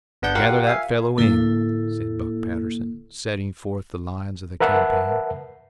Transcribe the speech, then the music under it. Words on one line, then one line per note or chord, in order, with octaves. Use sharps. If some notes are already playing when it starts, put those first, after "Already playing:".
"Gather that fellow in," said Buck Patterson, setting forth the lines of the campaign.
G1 B3 D4 F#5 G6
F4 G4 A#4 F5 F#5
E5 F5 G#5
A2 D3 A#3 E4 A4
A#4 B4 E5 F#5 A5